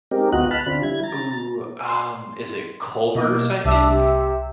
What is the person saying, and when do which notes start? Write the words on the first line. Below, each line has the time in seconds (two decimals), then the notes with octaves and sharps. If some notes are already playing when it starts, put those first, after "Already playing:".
Ooh, um, is it Culver's, I think?
0.11 G#3 C4 D#4 G4 A#4
0.32 D2 B3 F4 F#4 D#5 F#6
0.51 A5 B5 F6 F#6
0.66 D3 C4 D4 F4 B5
0.83 G3 E4 G#6
1.03 A#5 A6
1.85 C6
3.15 B2 A#3 D#5
3.64 C2 D4 E5 E6
3.90 C3